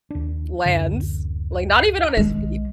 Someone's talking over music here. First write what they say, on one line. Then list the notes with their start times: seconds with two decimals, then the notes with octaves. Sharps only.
lands, like, not even on his feet,
0.10 D#2 D4
0.66 D1 F#2 D3
2.17 B1 D#3 G#3